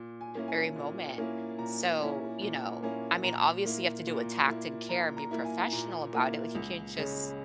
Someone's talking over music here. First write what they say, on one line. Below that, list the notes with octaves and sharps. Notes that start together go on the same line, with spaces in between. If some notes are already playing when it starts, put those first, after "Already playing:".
very moment. So, you know, I mean, obviously, you have to do it with tact and care and be professional about it, like, you can't just
Already playing: A#2
G#5
A#3 C#4 E4
G#5
A#2
A#3 C#4 E4
A#2 A#5
A#3 C#4 E4
A#2
A#3 C#4 E4
A#2 A#5
A#3 E4
A#2
A#3 E4
A#2 A#5
A#5
A#3 E4
G#5
A#2 A#5
A#3 E4
C#2
C#3 G#3 C#4